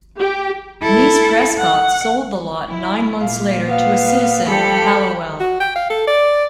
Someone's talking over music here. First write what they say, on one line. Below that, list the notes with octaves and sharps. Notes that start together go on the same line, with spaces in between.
Niece Prescott sold the lot nine months later to a citizen of Hallowell.
G4
E4 A4
F#5
E4
A#2 F5
B3 F5
F3 G3 G4 A4 B5
F#4
G5
F5
A4
D5